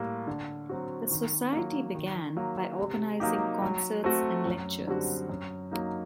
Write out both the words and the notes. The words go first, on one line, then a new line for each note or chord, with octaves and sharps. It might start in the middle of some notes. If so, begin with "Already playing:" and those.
The Society began by organising concerts and lectures.
Already playing: A2 G3 A#3
D3
F#3 C4 F#4
D#3
F#3 A#3
D#3
F#3 A#3
C3
F#3 A#3 D#4 G4
F#3
A3 C4 F#4
F#2
D3 G3 C4 F#4
F#2
F#3 A#3 D#4